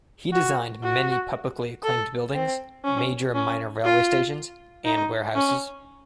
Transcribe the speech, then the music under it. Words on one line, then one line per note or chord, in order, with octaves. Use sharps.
He designed many publicly acclaimed buildings, major and minor railway stations, and warehouses.
F#4
F#4
A4
C4
C#4
C#4
F4
D#4
C#4